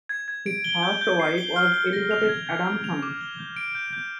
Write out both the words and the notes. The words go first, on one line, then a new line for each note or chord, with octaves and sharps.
His first wife was Elizabeth Adamson.
G#6
G#6
D7
G7
G6
G6
C7
G7
F6
F6
A#6
F7
G#6
G#6
D7
F7
D6
G7
G6
D7
G6
G6